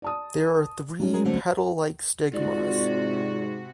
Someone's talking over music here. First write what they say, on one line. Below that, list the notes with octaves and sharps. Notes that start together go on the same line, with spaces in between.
There are three petal like stigmas.
D5 A5 D#6
F#3 G3 C#4
G#3 G#4 A#4
D3 A3 C4
G#2 C3 F4 F#4 D5